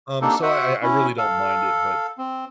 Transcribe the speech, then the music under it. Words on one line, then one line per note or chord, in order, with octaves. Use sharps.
um, so I I I really don't mind it, but
A#3 C4 D4 D#4 G4 A4
F#4 C5 E5 F#5
C#4 E4
A4 F5
C4